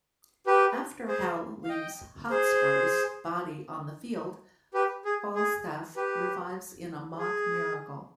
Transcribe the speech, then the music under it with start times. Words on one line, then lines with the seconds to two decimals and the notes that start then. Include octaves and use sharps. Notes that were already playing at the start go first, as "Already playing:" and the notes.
After Hal leaves Hotspur's body on the field, Falstaff revives in a mock miracle.
0.47 G4 B4
1.08 G#4 C5
1.64 F5
1.69 D#5 G5
2.30 G#4 C5
4.74 G4 B4
5.05 G#4
5.35 G#4
5.96 G4 B4
7.19 G#4